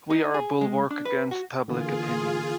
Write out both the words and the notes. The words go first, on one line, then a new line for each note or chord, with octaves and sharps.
We are a bulwark against public opinion.
D#4
G#4
G#3
D4
B4
F#4
D3 E3 A#3 F4 G#4